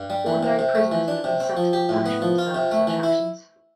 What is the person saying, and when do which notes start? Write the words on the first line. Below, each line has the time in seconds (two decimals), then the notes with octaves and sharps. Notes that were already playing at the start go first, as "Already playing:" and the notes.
Ordinary prisoners would have been sent to the punishment cell for such actions.
Already playing: G2
0.10 G3
0.26 E3
0.43 C3
0.59 C3
0.75 A3
0.92 E3
1.08 D4
1.24 C3
1.40 C4
1.57 F3
1.73 G4
1.89 A2
2.06 B3
2.22 F3
2.38 F4
2.54 C3
2.71 A3
2.87 E3
3.03 E4